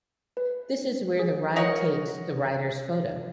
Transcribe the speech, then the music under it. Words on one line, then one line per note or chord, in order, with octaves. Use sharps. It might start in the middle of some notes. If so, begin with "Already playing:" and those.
This is where the ride takes the rider's photo.
B4
G#4
A#4 C#5 D#5 F#5